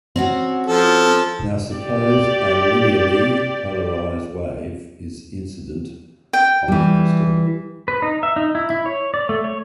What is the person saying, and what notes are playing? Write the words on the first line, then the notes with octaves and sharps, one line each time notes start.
Now suppose a linearly polarized wave is incident on the crystal.
C4 C#4 F#4
F3 A4
G4 D5
G5
E3 G3
B4
D#4
E5
D#4
E4
E4
C#5
D5
A3
C#5